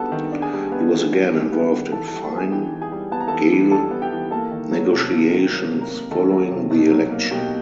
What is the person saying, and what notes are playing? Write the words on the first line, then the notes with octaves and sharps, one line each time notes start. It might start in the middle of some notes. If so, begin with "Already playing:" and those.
He was again involved in Fine Gael negotiations following the election.
Already playing: G3 B3 D4 F#4 A4 A5
D#3
D4
G#4 G#5
G3
B3
D#3
D4
G3
B3
D#3
E3 A4 A5
G3 A4 A5
A4 A5
B3 G#4 G#5
E3 G4 G5
E3
G#4 G#5
G3
B3 A5
A#5
E3 A4 A5
E3
G3 A4 A5
B3
G4 G5
E3
A#3 A4 A5
D#3
F#3
C3
A#3
D#3
F#3 A#4 A#5
C3
A#4 A#5
A#3
D#3 A4 A5
F#3
C3
B2
F#3
A#3
B2 G4 G5